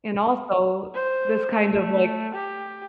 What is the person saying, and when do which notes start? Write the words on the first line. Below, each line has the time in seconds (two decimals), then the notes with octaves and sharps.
And also, this kind of, like
0.95 C5
1.53 A3
2.34 G4